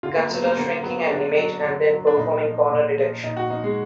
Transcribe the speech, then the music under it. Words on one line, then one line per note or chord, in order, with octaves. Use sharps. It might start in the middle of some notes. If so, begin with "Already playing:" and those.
Consider shrinking an image and then performing corner detection.
D3 F4
A#3
F#3 B3
A#3
D3 A#3
F#3 B3
D3 D4
F#3
D3
F#3
D4
A#2 D#4
F3
A#2
F3
A#2 D#4
F#4
F3 D#4
G#3